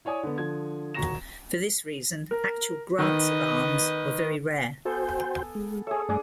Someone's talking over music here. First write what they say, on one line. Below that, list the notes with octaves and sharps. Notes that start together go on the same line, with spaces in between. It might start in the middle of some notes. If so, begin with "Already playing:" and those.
For this reason, actual grants of arms were very rare.
E4 C#5 D5 G#5 D#6
D3 B3
D3 F3 G#6
D#1 F#4 A#5 C#6 A#6 E7
A#4
D#3 B4 D#5
B3 F#4 A4 C5 G5 G#5
G#3
G#4 A4 C#5 E5
G2 A3 D4 G#4 D5